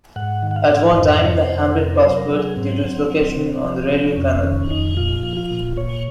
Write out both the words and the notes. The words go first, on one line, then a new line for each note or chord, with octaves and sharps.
At one time, the hamlet prospered due to its location on the Rideau Canal.
G#2 F#5
D#3
F#5
F5
G#2
F2 D#5
D#5
C3 C#5
C5
F2
C3 A#4
C5
F#3
A#4
F#3
G#4
G#2 C4
F#3
F#3
C3
F3
C3
F2 C#4
D#3 C#4
F2 D#4
A#2 F4
F3
F4
A#2
A#2 C#5